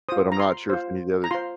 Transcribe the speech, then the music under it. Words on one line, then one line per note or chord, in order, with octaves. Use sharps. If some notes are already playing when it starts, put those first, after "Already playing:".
but I'm not sure if any of the other
F4 C5 D#6
A#5
C6
F4 C5
A#5
F4 C5 C6